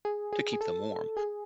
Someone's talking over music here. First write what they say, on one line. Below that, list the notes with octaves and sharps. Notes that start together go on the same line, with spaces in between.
to keep them warm.
G#4
G#4
G#4
A4
G#4